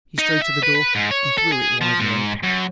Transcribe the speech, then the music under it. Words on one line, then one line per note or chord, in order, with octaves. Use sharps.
He strode to the door--and threw it widely open.
D#4
E5
B4
B4
G#2
C#5
A4
G#4
F3
G#2
F#2